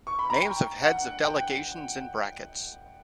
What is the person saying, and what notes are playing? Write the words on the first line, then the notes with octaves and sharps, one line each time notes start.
Names of heads of delegations in brackets.
C#6
B5
A#5
G5
F#5
G5